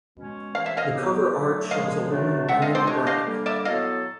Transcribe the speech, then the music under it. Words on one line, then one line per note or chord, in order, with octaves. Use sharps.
The cover art shows a woman wearing a brank.
B2 G#3 C#4
C3 E3 A3 C#4 E4 F5
E5
D#5 F5
F#3 B3 E4 G4
A2 F#3 A3
A#2 F3 G#3 D#5 F5
B2 F#3 A3 D4
E3 G#3 C4 F4 A4 E5 F#5
D#5 F5
C5 D5
E3 A3 D4 G4 C#5 D#5
D#5 F5
D3 G3 A#3
D5 E5
F#3 B3 E4 A4 D#5 F5